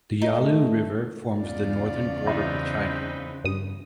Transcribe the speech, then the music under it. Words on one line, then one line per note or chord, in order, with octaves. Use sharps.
The Yalu River forms the northern border with China.
A3 D#4
E2 C#3 F4 D5
C4 D#4 E4 B4
G2 D#6